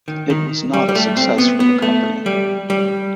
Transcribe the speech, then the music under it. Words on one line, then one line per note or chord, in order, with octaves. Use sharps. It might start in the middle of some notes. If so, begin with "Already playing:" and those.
It was not a success for the company.
D#3
D#3
G3
G3
A3
C4
B3
B3
A3
G3
G3